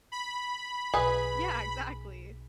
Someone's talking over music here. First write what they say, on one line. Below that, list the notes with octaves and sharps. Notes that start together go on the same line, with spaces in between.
Yeah, exactly.
B5
B1 G#4 B4